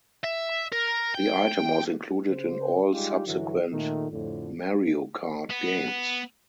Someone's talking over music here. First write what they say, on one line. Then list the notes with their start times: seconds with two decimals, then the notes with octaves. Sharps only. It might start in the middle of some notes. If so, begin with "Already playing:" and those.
The item was included in all subsequent "Mario Kart" games.
0.24 E5
0.72 A#4
1.14 G5
2.30 C#3 C5
2.92 G3 G#3 D#4 F4 G4 G#4
3.27 G2 D3 E3 F#3 E4 F#4
3.72 A#2 D#3 A3
4.12 F2 A2 D3
5.50 B3